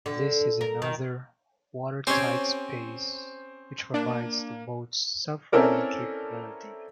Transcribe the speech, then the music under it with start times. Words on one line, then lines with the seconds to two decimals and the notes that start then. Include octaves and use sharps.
This is another water-tight space which provides the boat's self-righting capability.
0.06 D3
0.61 A#4
0.82 D#3
2.07 C4 C#4 G4 C5 C#5 C7
3.94 A#3 D4
5.52 C4 C#4 E4 A4 A#4 D5